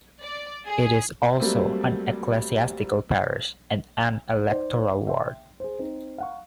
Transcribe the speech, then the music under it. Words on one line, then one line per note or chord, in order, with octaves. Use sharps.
It is also an Ecclesiastical parish and an electoral ward.
D5
G#4
F#3 G3 A3 A#3 C4
D#4 C5 D5
E5 G5 C6
G#4 C5
C4 D#4
F5 F#5 C#6